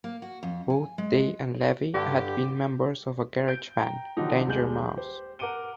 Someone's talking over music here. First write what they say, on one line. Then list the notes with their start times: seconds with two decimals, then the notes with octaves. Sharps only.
Both Day and Levi had been members of a garage band, Danger Mouse.
0.04 A#3
0.22 F#4
0.43 F2
0.70 G#5
0.98 G#3
1.94 G2 D3 G4
3.48 G6 D7
3.78 G5 A#5
4.17 D3 D#3 F3 F#3 D#4 G4
4.46 D#1 G3 G#3 G6 F#7
4.96 G4 C5
5.39 A#4 F#5 D6 D7 D#7 G7